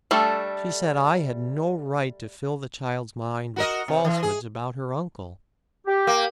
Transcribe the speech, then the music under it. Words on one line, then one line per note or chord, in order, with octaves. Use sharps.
She said I had no right to fill the child's mind with falsehoods about her uncle.
G3 A3 D4 A4
F#4 A#4 D#5
C3
E3
G#4
G4
A#3